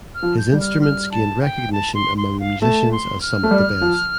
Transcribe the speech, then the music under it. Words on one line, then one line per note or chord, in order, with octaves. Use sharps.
His instruments gained recognition among musicians as some of the best.
F6
F3
G6
G3
F6
F6
A5
G5
A5
C6
C6
F5
A3 A5
C6
F6
A3
G3
F3